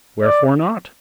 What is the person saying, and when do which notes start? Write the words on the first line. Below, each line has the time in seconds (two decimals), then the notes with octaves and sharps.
Wherefore not?
0.22 D5